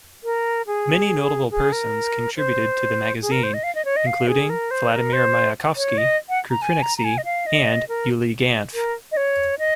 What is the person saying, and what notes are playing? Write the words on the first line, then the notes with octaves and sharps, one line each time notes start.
Many notable persons contributed to the magazine, including Vladimir Mayakovsky, Kukriniksy, and Yuliy Ganf.
A#4
G#4
G#4
A#4
C5
G#4
A#4
C5
D#5
F5
D#5
C#5
D#5
F5
G#4
A#4
C5
A#4
C5
C#5
D#5
F#5
A#5
G#5
A#5
A#5
G#5
D#5
F5
D#5
A#4
A#4
D#5
C#5
D#5